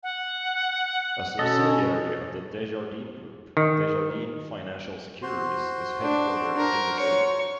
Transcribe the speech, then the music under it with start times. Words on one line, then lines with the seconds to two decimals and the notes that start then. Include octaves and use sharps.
A subsidiary of the Desjardins Group, Desjardins Financial Securities is headquartered in the city.
0.03 F#5
1.39 B2 C#4 A4 D#5
3.57 D#3
5.22 F#4 C5 C6
6.02 D4
6.57 A#4
7.00 C#5